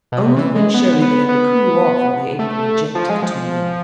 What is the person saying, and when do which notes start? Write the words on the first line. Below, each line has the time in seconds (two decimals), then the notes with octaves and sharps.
Only when Shirley began to cool off were they able to eject the two men.
0.12 B2
0.19 C3
0.36 E3
0.55 G#3
0.74 B3
1.02 B3
1.29 B3
2.39 A3
2.95 F3
3.09 G#3
3.23 F3